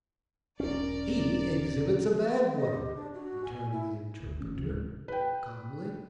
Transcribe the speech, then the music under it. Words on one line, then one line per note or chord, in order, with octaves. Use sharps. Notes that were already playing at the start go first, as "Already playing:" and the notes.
"He exhibits a bad one," returned the interpreter, calmly.
E1 B1 C#4 A#4 D5
D#5
G4
D4
F#4
G#5
E4
F#1 D2
G1 E3 A3 C#4
F1 C#2 C3 F3
D1 D2 G#3
B4 G5